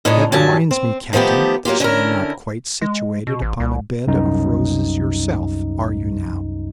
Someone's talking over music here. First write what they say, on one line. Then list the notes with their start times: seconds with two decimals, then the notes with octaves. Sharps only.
That reminds me, captain, that you are not quite situated upon a bed of roses yourself, are you now?
0.05 F2 A2 D4 D#4 G#4
0.32 G2 A#2 F3 F#3 G#5 A5
0.71 C4
1.13 D#3 F3 A3 B3 G4
1.65 F#3 A#3 F4 G4
1.80 D3 C#4 E4 A#4
2.81 G#3
3.27 B2
3.42 A1
3.60 C2
4.07 C2 F#2 D#4